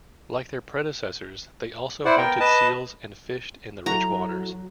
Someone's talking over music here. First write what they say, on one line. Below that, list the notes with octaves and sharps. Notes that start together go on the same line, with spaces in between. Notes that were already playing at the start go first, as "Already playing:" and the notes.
Like their predecessors, they also hunted seals and fished in the rich waters.
E4 C5 D5 F#5
B3 A#4 G5
B4 D#5 A5
F#3 E4 F#4 A4 A#5